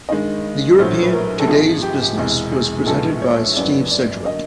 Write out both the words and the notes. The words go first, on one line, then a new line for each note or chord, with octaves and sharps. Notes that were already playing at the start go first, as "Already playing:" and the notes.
The European "Today's Business" was presented by Steve Sedgwick.
G2 D#3 G#3 D#5
A#1 A2 F#3 C5
B4
A#4
A4
G#1 G#2 F3 G#4
G4
G4
E1 E2 C3 E3 G#3
G#4
A#1 A2 F3 G#3 B3 A4
C#5
G#1 F#2 D#3 F#3 B3 D5
D5
D3 F#3 A#3 D#5